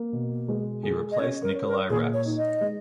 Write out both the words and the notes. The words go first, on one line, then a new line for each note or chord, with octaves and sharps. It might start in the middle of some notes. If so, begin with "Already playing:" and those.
He replaced Nikolai Raps.
Already playing: A#3
B2
G#3
G#4
D#5
C#4 C#5
A#4
C#5
A#4
A#2 G#4
C#5
D#4
D#5
G#3